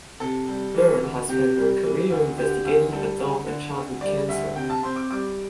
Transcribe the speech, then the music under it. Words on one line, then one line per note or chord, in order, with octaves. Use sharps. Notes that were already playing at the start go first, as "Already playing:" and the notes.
Byrne has spent her career investigating adult and childhood cancer.
C3 A4
G3
E3
D2
C3 G4
G3
E3
D2
D3 G4
D2
G3 A4
D2
D3
D2
G3 D5
D2 E5
C3 G5
A5
C4 C6
D6
G3 D6